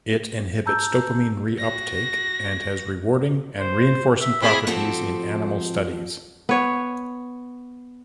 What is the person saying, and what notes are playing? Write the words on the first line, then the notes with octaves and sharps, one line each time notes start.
It inhibits dopamine reuptake and has rewarding and reinforcing properties in animal studies.
A5 A#5 E6 G6
F#4 A#6
C5
E5
C4 E4 G#4 B5
F3 C4 F#4 G4 A4
B3 C#5